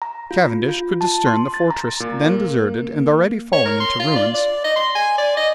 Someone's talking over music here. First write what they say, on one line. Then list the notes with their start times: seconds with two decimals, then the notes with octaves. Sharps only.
Cavendish could discern the fortress, then deserted and already falling into ruins.
0.02 A#5
0.31 F4
0.69 F4
1.01 A5
1.27 C6
1.54 A6
1.71 A#5
2.00 A#2
2.26 A#3
3.53 C#5
3.66 A#4
3.80 C6
4.00 F4
4.16 D5
4.34 D5
4.64 D#5
4.76 C6
4.95 G#5
5.18 D5
5.37 D#5